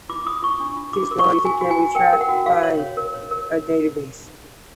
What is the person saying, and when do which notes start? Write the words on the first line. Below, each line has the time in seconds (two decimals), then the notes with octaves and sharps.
This loyalty can be tracked by a database.
0.09 F4 D6
0.26 F4 D#6
0.43 F4 C#6
0.60 D4
0.76 F4
0.93 F#4 D6
1.11 A#4
1.19 C#6
1.28 F#4
1.45 F#4 G#5
1.61 F#4
1.71 G#5
1.78 F#4
1.95 A#4 G5
2.13 A#4
2.21 F#5
2.29 F#4
2.46 F#4 F5
2.63 C#5
2.79 C#5
2.97 A#4
3.14 C#5
3.31 A#4